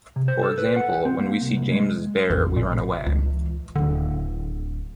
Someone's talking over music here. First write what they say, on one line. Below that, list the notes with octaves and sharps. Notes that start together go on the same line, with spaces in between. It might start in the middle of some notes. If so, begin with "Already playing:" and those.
For example, when we see James's bear, we run away.
C3
C5
A4
B4
F#5
C4
A#3
C2
C2
G#3
A1 F2
A#2
C#2 E3
D1 D3 D4